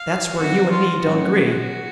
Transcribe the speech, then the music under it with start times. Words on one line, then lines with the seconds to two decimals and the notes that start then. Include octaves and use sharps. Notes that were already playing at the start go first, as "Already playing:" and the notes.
That's where you and me don't agree!
Already playing: F5
0.38 F2 D3 F#3 F#4
0.70 F4
1.03 A2 F#3 A3 C#4 F#4